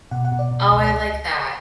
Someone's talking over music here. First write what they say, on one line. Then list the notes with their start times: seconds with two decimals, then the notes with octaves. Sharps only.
Oh, I like that.
0.11 B2 F#5
0.25 F#5
0.32 B2
0.39 D5
0.51 B2
0.72 C#2
0.84 D5